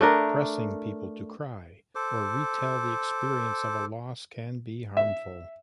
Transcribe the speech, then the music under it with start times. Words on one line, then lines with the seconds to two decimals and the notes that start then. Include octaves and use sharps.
Pressing people to cry or retell the experience of a loss can be harmful.
0.01 A3 D4 A#4
1.95 A4 C5 D6
4.97 E5